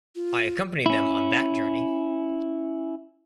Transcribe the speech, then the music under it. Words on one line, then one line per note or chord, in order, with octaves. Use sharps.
I accompanied them on that journey...
F4
C#4 E4